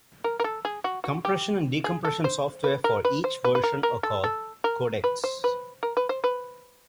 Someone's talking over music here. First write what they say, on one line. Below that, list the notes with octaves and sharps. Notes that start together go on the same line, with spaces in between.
Compression and decompression software for each version are called "codecs".
A#4
A#4
A4
G#4
F#4
F#4
G4
G#4
A4
C5
B4
A#4
B4
C5
B4
B4
A#4
A#4
A4
A4
A#4
B4
C5
B4
A#4
B4
C5
B4